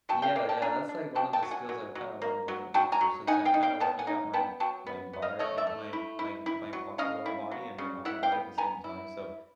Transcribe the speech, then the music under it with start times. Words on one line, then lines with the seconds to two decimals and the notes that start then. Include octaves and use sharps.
Yeah, yeah, that's like one of the skills I would kinda wanna learn in the future since I'm kinda working out my my bottor m my my my part lower body and my upper body at the same time, so,
0.09 F#3 G5 A5
0.22 F5 G5
0.36 A#3 F5 G5
0.49 G5 A5
0.62 D4 G#5 A#5
0.89 D4
1.15 F#3 G5 A5
1.33 G5 A5
1.43 F#3
1.51 F#5 G#5
1.69 F#3
1.95 F#3
2.22 A#3
2.48 F#3
2.74 F#3 G5 A5
2.92 G#5 A#5
3.01 F#3
3.27 D#4 F#5 G#5
3.45 F5 G5
3.54 D#4
3.63 F5 G5
3.80 B3 G5 A5
3.99 F#5 G#5
4.07 D#4
4.33 B3 G5 A5
4.60 F#3 G5 A5
4.87 B3
5.13 B3
5.22 D#5 F5
5.39 A3 C#5 D#5
5.57 D5 E5
5.67 A3
5.93 E4
6.19 E4
6.46 E4
6.73 F#3
6.98 C#4 D#5 F5
7.26 E4
7.51 F#3
7.78 C#3
8.05 E4 E5 F#5
8.23 F5 G5
8.32 B3
8.58 B3 G#5 A#5
8.84 E4